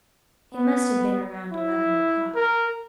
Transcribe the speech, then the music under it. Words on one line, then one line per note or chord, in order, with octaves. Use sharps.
It must have been around eleven o'clock.
B3
E4
A#4